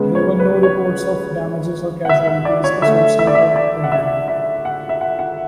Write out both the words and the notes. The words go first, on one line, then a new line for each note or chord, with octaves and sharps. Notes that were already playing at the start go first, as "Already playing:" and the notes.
There were no reports of damages or casualties associated with Danny.
Already playing: C#3 G#3 B3
C#5
B4
C#5
F#5
E5
E5
D5
C#5
D3 A3 E5
E5
D5
E5
D5
F#5
E5
E5
F#5
E5
F#5
F#5